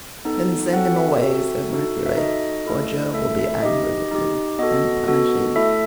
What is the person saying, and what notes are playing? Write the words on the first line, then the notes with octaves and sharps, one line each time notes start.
"Then send him away," said Mercury, "or Jove will be angry with you and punish you".
B3 D#4 A4
C4 F#4 A4 F#5
E5
C4 F#4 A4
D#4 F#4 A4
E5
D#4 F#4 A4 D#5
A3 E4 A4
A3 E4 A4 E5
E5
D#4 G4 D#5
D#4 G4
B3 F#4 A4 D#5
B3 F#4 A4
A3 E4 A4 E5